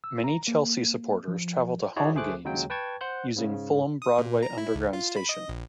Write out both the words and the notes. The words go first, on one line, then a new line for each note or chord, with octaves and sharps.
Many Chelsea supporters travel to home games using Fulham Broadway Underground Station.
E6
A#5
A#3
F3
D#4 E4 F#4 G#4 C#5 D5
D2 A3 G#4 C5 D6 F#6
D#2 C#3 F#3 G#3 G5
B4 G5 A5 C#6 G#6
C5 F#5 F#6 G6
G#2 C#3
D#6
A#2
A#5
E4
C#2
F4
B5
D#5
A#1